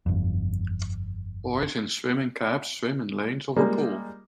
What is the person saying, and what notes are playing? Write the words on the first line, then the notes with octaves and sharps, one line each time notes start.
Boys in swimming caps swim in lanes of a pool.
G1 F2
G3 G#3 A#3